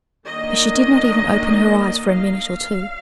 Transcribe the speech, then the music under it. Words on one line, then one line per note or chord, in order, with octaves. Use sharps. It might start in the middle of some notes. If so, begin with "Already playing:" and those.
But she did not even open her eyes for a minute or two.
D#3 A#3 D4 D#5
F5
F#3 D4